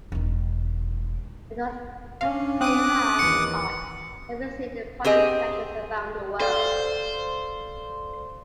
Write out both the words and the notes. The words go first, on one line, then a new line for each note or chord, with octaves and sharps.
Oton Gliha's art can be seen in public collections around the world.
E1 D#3
C#4 D4 F5
C4 D6 D#6 F#6 D#7
D#2 E3 C#7
C4 G4 G#4 D#5
A4 C5 D5 F5